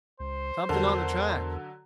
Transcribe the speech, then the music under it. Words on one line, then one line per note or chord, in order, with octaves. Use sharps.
Something on the track.
C#2 C5
E2 D3 F#3 A#4 A5